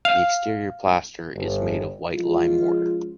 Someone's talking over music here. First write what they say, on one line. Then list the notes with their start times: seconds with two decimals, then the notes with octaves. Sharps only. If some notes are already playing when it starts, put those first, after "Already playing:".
The exterior plaster is made of white lime mortar.
0.05 F5
1.34 G1
2.14 F3 G#3 C#4 F4